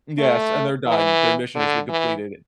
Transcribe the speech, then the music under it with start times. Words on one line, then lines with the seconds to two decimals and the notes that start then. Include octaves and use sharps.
yes, and they're done, their mission has been completed.
0.19 A3
0.87 E3
1.55 D3
1.89 E3